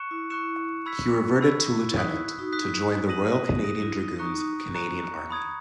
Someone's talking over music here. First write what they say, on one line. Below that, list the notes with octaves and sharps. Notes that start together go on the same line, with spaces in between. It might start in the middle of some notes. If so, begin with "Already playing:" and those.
He reverted to lieutenant to join The Royal Canadian Dragoons, Canadian Army.
Already playing: C#6 F#6 C#7 E7
E4
E4 C#6 F#6 C#7 E7
B5 E6 G#6 B6
B5 E6 G#6 B6
E4
D#4 D#6 F#6 B6
E4
D#4 F#4
D#4 D#6 F#6 B6
E4
D#4
D#6 A#6 D#7 F#7
D#6 A#6 D#7 F#7
E4
D#4
D#4 A#5 C#6 F#6 C#7
A#5 C#6 F#6 C#7
B5 D#6 G#6